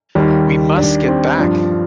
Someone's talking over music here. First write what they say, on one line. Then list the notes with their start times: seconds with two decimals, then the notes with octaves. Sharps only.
We must get back!
0.15 D#2 D#3 G3
0.77 D4
1.08 C4
1.39 G2 F3 D4